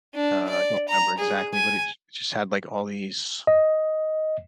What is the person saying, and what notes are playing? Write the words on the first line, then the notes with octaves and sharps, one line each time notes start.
uh, I don't remember exactly, but it j just had, like, all these
D4
D5
A#5
G#4
G#5
D#5